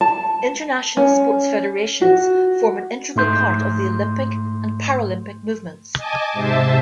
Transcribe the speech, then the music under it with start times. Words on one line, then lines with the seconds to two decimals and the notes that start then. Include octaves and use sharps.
International sports federations form an integral part of the Olympic and Paralympic movements.
0.01 A5
0.97 C#4
2.01 F#4
3.16 G#2 A3 C6 G6
5.97 D#5 G#5 A5 D6
6.33 G#2 C3 C5 E5 A5